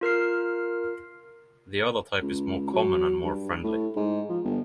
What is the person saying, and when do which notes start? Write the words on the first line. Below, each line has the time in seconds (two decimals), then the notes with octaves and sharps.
The other type is more common and more friendly.
0.01 F4 A#4 F6 C7
2.22 C#2
2.73 F#3
3.24 G2
3.63 A2
3.96 G#2
4.29 F3
4.44 G1